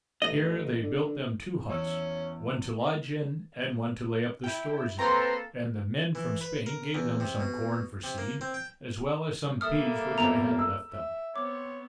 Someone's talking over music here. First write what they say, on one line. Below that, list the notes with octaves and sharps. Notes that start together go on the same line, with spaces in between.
Here they built them two huts, one to lodge in, and one to lay up their stores in; and the men from Spain gave them some corn for seed, as well as some peas which I had left them.
A1 D#5
D3
E2 C#4 E6
E4 G5
A#3 C4 A4 B4 A#5 C6
E3
B4
A#4
E2
C3
B2
C3
A#3
C4
G5
G3 A#3 A4 E5 D#6 F6
F2 B2 A#5
E6
E5
B3 C4 C#5 D6